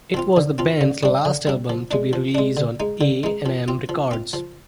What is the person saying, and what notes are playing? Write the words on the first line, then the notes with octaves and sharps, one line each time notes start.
It was the band's last album to be released on A and M Records.
F3 C4 F4
D3
F3 C4 F4
D3
G3 D4
D3
G3 D4
F3
G#3 D4
F3
G#3 D4
D3
G#3 D#4
D3
G#3 D#4
F3
C4 F4
F3
C4 F4
F3